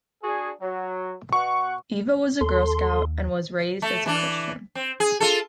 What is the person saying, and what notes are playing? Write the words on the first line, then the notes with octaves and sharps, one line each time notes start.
Iva was a Girl Scout, and was raised as a Christian.
D4 F#4 G#4
F#3
B2 F#5 C#6
D#2 A4 C6
A3
E3 D4
C4
G#4
F4 A4